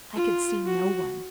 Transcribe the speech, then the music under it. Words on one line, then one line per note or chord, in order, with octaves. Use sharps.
"I could see no one."
F4
F#4